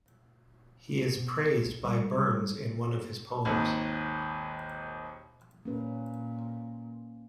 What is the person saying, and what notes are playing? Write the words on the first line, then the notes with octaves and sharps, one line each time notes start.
He is praised by Burns in one of his poems.
B2
B1
G3
G3
G#1 D#2
A#2 A#3 C#4 B4